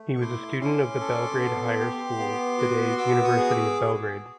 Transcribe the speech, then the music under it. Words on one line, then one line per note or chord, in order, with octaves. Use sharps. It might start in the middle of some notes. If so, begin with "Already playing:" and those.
He was a student of the Belgrade Higher School, today's University of Belgrade.
Already playing: A3
C#6
E4 C6 D6
C#4 C6 D6
A4
B3
G4
B3
F#4
B3 D6 E6
C#6 D#6
G#4
D6 E6